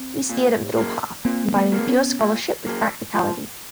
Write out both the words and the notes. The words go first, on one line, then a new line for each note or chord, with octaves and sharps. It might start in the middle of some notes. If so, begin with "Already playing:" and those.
He steered a middle path, combining pure scholarship with practicality.
Already playing: C4
A#2
F#3 A#3
A#2 A#3 C4
A3 B3
F#3 A#3
B3 C#4
A#2
F#3 A#3
F3